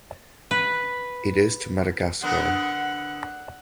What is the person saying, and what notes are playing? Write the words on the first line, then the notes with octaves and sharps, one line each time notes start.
It is to Madagascar.
B4
D3 B3 A#4 F#5